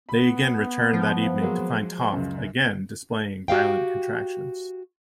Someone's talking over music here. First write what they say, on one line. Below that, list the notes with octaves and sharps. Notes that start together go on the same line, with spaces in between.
They again returned that evening to find Toft again displaying violent contractions.
B3 B5
F3
F#3 G#3 A#3
C#2 F#2
F#4 G4 F5 G5